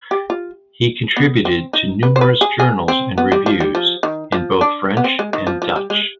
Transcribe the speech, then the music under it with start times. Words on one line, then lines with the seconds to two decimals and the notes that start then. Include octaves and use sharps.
He contributed to numerous journals and reviews in both French and Dutch.
0.11 G4
0.30 F4
1.17 B3
1.45 C4
1.73 D#4
2.03 B4
2.16 C5
2.21 B4
2.41 G#4
2.60 G#4
2.88 C4
3.18 B3
3.32 G3
3.46 F3
3.60 G3
3.75 F3
4.03 D#3
4.32 F3
4.61 D4
4.97 B3
5.04 C4
5.19 G#3
5.33 D#3
5.47 F3
5.62 F3
5.76 G3
5.90 G#3